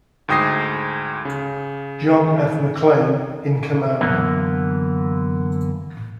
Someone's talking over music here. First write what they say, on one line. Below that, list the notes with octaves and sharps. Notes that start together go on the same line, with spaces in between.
John F. McClain in command.
D2 G#2 G5 D#6 A#6 C7
C#3
F#2 D3 E3 A#3 B3